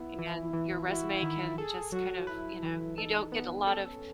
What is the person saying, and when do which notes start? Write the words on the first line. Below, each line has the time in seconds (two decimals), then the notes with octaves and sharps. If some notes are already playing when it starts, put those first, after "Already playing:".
and your resume can just kind of, you know you don't get a lot of
Already playing: B3 E4
0.19 E3
0.53 E3
0.88 E4 F#4
1.23 D#3
1.58 G#4 A4
1.92 F#3 F#4
2.27 E4 B4
2.63 E3
2.97 D#4 A4
3.32 B3
3.67 C#4 A4